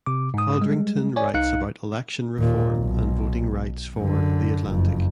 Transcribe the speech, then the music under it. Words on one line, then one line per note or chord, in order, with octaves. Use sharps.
Codrington writes about election reform and voting rights for "The Atlantic".
C3 D6
G#2 D#6
G3 G#3
C#5 D5 G#5
C2 D#4 F5 F#6 C#7
D#2 A#2
B1
F#2 D3
F#1 F2